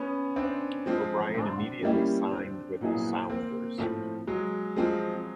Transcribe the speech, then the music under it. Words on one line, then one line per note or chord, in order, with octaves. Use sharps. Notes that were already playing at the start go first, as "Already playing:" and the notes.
O'Brien immediately signed with the Sounders.
Already playing: B3 C#4
C4 D4
F3 G#3 C4 F4
C4 D4
G3 A#3 C#4 E4 G4
C4 D4
A#2 F#3 B3 E4 G#4
A#3 C4
A2 F3 A3 C4 F4
F#3 G#3
F3 G#3 C4 F4